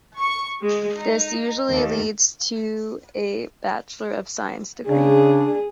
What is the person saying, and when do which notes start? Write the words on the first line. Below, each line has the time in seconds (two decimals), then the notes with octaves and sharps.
This usually leads to a Bachelor of Science degree.
0.18 C#6
0.62 G#3
0.96 D#4
1.71 D#2
4.89 C#3 D4 G#4